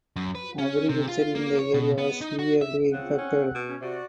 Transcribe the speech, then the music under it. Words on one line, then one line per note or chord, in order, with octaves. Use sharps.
Agriculture in the area was severely impacted.
F#2
B4
C#4
C3
F4
A#3
C#5
B2
B3
D#4
F#4
E5
C#3 C4 F#5
C#4
B2
C#4
C3 F#4 D5